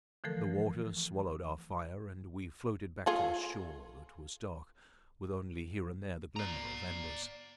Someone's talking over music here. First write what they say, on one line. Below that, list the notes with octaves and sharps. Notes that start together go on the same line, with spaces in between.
The water swallowed our fire, and we floated back to the shore that was dark with only here and there the glimmer of embers.
D3 E3 F3 A3 A4 A#4
F4 G#4 A4
D5 A#5